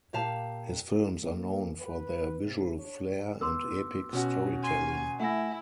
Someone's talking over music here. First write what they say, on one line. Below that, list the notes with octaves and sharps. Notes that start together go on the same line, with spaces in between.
His films are known for their visual flair and epic storytelling.
A#2 G4 F5 A5
A#3
B4
A#1 D#2 C3
D4 C#5
B3 C6 D6 E6
B2 C#4 F#4
G#5 C6 C7
A3 E4 F#5 G#5 A#6